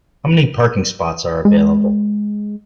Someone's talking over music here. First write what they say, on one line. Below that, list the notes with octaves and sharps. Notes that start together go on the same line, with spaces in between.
How many parking spots are available?
G#3